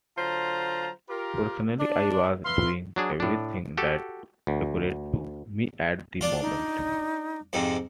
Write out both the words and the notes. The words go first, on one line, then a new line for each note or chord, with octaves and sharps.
Personally I was doing everything that occurred to me at the moment.
D3 F#3 F4 C5 A5 A#5
F4 G4 A#4
D4
B4 E5 F5 C6
F#3 D4 G#4
A2 D4
F#4 G4 A4
D2
D4 F4
D#4
F2 G#2 C3